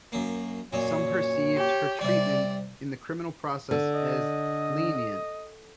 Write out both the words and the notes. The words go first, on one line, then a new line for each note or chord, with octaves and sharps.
Some perceived her treatment in the criminal process as lenient.
F#2 A#3
F#2 A#2 A#3 C#5
G4
C3 G3 D5
D3
D#5